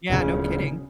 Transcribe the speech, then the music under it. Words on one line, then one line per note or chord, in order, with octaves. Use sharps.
Yeah. No kidding.
D1 C#3